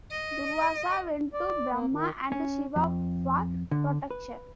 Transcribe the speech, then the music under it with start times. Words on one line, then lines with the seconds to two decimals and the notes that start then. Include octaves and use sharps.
Durvasa went to Brahma and Shiva for protection.
0.11 D#5
1.33 D5
1.71 A#3
1.92 D#3
2.32 C#4
2.76 F2
3.71 D3
4.11 B4